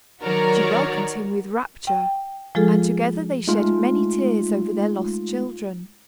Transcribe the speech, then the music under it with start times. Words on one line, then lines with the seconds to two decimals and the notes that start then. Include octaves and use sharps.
She welcomed him with rapture, and together they shed many tears over their lost children.
0.22 D#3 F#3 F#4 A#4 C#5 D5
1.87 G5
2.55 F3 G#3 F4 G#4 A4
3.48 G#3 A3 D#4 F4